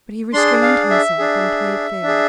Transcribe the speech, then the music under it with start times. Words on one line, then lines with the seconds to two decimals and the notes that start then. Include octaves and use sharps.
But he restrained himself and played fair.
0.33 D4 G#4 C6
0.62 F5
0.91 E5
1.18 D4 G#4
2.03 D4 G#4